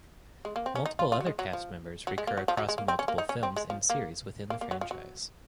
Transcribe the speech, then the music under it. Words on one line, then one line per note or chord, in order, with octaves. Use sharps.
Multiple other cast members recur across multiple films and series within the franchise.
G#3
A#3
C4
C#4
D#4
F4
F4
F#3
G#3
F#3
F3
F#3
G#3
A#3
F#3
F3
F#3
G#3
A#3
C4
C#4
A#3
D#4
C#4
C4
G#3
F3
A#3
A#3
A#3
F#3
F3
F#3